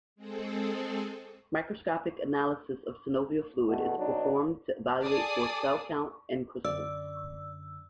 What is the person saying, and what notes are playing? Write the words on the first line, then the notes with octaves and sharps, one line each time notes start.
Microscopic analysis of synovial fluid is performed to evaluate for cell count and crystals.
G#3 C4 G#4 A4
E2 B2 A3 F#4 A4
B1 F#3 B3 D4 D#4
G#4 A4 D5 G#5 A5 D#6
F#2 D3 D5 E6